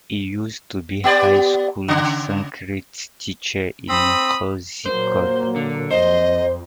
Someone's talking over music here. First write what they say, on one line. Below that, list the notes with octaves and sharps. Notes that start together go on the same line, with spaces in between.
He used to be high school Sanskrit teacher in Kozhikode.
B3 G4 D5
C#3
C4 B5 D#6
A#2 F#3 A#3 C5
D3
F2 C5 D#5